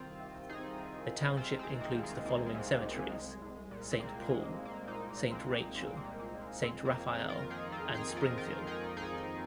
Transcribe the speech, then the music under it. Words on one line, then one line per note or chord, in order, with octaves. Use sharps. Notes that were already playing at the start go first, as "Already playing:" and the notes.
The township includes the following cemeteries: Saint Paul, Saint Rachael, Saint Raphael and Springfield.
Already playing: C2 D#3 C4 F4
C3
C2 D#4 G#4
D#3
C2
C3 C4 F4
G#3 C4
C2
A#3
D#3
G#3
C2 A#3
G#3
C3
G#3
C2
G#3
C2
C2
A#2
C4
A#2 A#3
G#3
C2
A#3
C2
A#3
A#2 A#3 D#4
A#3
A#2
G#3 C4
C2
A#3
C2 G#3
C4
A#3
A#2
A#3
A#2
G#3
F2 G#3 C4
A#3
F2
A#3
D#3
F4 A#4
D#3 D#4 G#4
C4 F4
F2
D#4 G#4
F2
F4 A#4
D#3 F4 A#4
D#3 D#4 G#4
F2 D#4 G#4